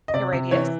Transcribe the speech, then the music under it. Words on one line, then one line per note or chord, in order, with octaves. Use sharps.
The radius.
D#5
C3 D5
C3
E3 C#5